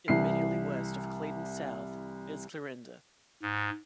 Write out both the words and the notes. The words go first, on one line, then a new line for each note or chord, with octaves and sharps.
Immediately west of Clayton South is Clarinda.
C2 E3 C7
G#2